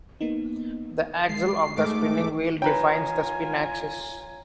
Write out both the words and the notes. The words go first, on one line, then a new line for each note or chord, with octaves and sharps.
The axle of the spinning wheel defines the spin axis.
A#3 B3 D#4
G#3 C7
G#2 A3 D6
F4 B4 C#5 G5 G#5 A#5